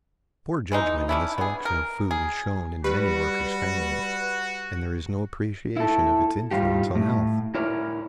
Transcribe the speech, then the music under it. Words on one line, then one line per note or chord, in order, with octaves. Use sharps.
Poor judgment in the selection of food is shown in many workers' families, and there is no appreciation of its influence on health.
E3 G#3 D#4
C#4 D4 E4
B3 G#4
A#4
G#4
G3 F#4 G4 B4
E4 A4
G#2 G3 F4 G4
A2
E4 A#4 C#5 D5